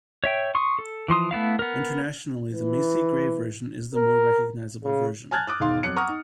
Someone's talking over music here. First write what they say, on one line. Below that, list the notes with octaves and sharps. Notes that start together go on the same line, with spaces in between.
Internationally, the Macy Gray version is the more recognizable version.
C#5 E5 G5
C6 C#6 D#6
A4
E3 F3 C6 D#6
A3 B3 E4 F5
B3 A#4
E3
A#4
C#3
G#5 A5 F6 F#6 G#6 A6
D6 D#6 F#6
E1 G#2 D#3 F5 C6
F2 F#3 F#6 C#7
F#5 A#5 C#6 D#6 F6
D#4